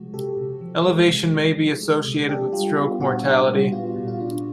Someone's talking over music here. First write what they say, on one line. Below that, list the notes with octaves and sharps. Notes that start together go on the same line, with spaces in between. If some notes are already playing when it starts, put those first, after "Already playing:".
Elevation may be associated with stroke mortality.
Already playing: C3 F3 G#3 F#4
C3 G4 A4
C3
F3
G#3
C3
C3
F3
G#3
C3
D4 G4 A4
G3 F4 G4
B3 F4
A#2 F#4
D4
G3
B3 F4
A#2
F4
D4